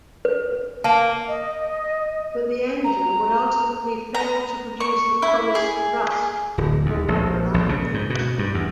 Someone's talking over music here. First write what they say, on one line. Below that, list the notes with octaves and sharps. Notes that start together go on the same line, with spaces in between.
But the engine would ultimately fail to produce the promised thrust or run reliably.
B4
A#3 A5
D#5
A#5
A#5
C#6
E4
G#4
D1
D#2
A#1
A#1
C#3
G#2
B2
G2
E2